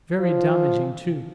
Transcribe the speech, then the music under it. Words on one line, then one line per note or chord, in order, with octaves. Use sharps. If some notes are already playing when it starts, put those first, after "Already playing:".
Very damaging, too!
F3